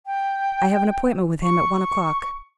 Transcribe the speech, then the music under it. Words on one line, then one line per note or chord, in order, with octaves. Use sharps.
I have an appointment with him at one o'clock.
G5
C#6